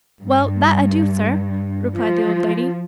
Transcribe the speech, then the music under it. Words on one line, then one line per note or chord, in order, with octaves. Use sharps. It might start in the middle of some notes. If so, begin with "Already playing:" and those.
'Well, that I do, sir,' replied the old lady.
G2
F3